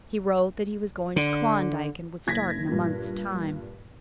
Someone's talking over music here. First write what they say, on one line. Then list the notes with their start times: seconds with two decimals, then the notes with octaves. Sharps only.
He wrote that he was going to Klondike and would start in a month's time.
1.16 D3
2.27 F#1 G#6 A#6 B6
2.69 G2 A#2